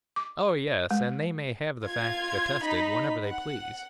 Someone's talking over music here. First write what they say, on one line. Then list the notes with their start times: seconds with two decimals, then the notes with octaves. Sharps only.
"Oh, yes; and they may have the fact attested whenever they please."
0.16 D6
0.91 G#3
1.85 F4 G#6
2.64 D#4 B5
3.25 F#5